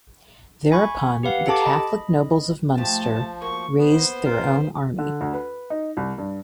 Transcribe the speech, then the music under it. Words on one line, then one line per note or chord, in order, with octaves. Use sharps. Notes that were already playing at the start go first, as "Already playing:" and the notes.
Thereupon the Catholic nobles of Munster raised their own army.
G#5 B5 C#6
G4 B4 F5 F#5
G4 A4 A5 D6
D#5 B5
F3 A3 G4 A5
A#3 F#4 C#6
B3 B4 C5
F4 A#4 F5
D3
D2
B4
D#4
C2
G2